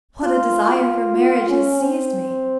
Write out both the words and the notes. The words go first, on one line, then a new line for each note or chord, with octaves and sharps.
What a desire for marriage has seized me!
F4
F4
F4
C#4
C4